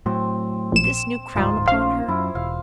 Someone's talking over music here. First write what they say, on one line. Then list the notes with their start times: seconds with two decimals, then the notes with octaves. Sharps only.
With this new crown upon her!
0.06 A2 F#3 C4
0.72 A#1 E7
1.35 D1 G#2 D#4 F4 C5
1.68 A#1 C#4 C5 F5
2.08 F#2 E4
2.35 E1 F5